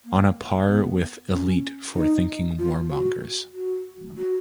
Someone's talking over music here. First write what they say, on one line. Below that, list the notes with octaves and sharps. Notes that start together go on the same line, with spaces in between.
On a par with "Elite" for thinking warmongers.
A#3
B3
C#4
D#4
F4
F#4
F#4
F#4